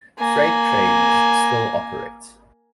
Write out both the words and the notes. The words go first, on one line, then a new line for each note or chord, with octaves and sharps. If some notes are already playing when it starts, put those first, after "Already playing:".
Freight trains still operate.
A#3 G#5